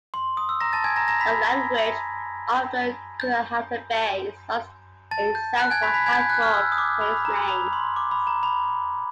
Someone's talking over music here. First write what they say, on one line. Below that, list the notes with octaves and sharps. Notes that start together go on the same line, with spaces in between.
The language of the Guanahatabey is lost except for a handful of placenames.
C6
D#6
E6
A#5 A#6
A5 A6
G#5 G#6
A#5 A#6
A#5 A#6
B5 B6
G6
A5 A6
G6
F#6
G#5 G#6
B5 B6
B5 B6
G#5 G#6
G6
F#6
F6
E6
D#6
D6
B5
A#5
B5
C6
D6
B5
A#5
B5